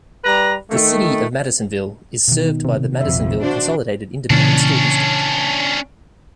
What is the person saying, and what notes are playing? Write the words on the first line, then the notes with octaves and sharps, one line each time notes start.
The City of Madisonville is served by the Madisonville Consolidated Independent School District.
G3 B4 A#5
D#3 A3
B2 D#3
C3
A#1 F2 E5
D4 F#4 C5
A#2 C#3 E3 C#4 D4